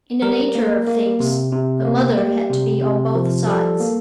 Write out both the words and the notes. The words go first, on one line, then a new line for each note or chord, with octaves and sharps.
In the nature of things, her mother had to be on both sides.
G3 A#4
A#3
A#3
C3
C3
A#3
G3 G4
C3
C3
F3
G3 A4
A#3